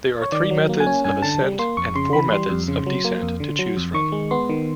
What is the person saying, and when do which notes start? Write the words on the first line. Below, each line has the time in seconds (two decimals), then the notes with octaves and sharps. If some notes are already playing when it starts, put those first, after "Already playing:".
There are three methods of ascent and four methods of descent to choose from.
0.22 C#5
0.32 D#3 D5
0.51 F#3
0.69 A#3
0.80 G#5
0.87 C#4
1.04 G2 G#5
1.22 D3 A5
1.41 G3
1.59 A#3 C6
1.77 F2 C#6
1.95 C#3 C6
2.13 E3 B5
2.32 G3 C6
2.50 F2
2.68 C#3
2.87 F#3
3.04 A#3
3.22 F2
3.40 D3
3.59 F#3
3.77 F2
3.94 D#3 C#6
4.12 G#3
4.31 B3 C6
4.49 D#3